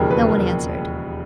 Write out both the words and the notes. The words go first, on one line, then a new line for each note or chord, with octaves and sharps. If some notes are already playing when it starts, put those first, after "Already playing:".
No one answered.
Already playing: E1 D#2 C#3 F3 A#4
B4
A#4